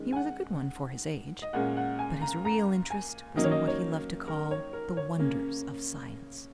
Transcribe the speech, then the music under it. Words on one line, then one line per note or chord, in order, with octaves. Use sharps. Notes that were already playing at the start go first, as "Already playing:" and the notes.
He was a good one, for his age, but his real interest was in what he loved to call "the wonders of science."
Already playing: D#3 G#3 C#4
G#5
F#5
D#5
A#2 G#3 C#4 F#5
F#5
G#5
A#5
A#5
G#5
D#3 F#3 A#3 C#4 D#5
C#5
D#5
C#5
A#4
C#5
A#4
C#5
C#3 A#3 C#4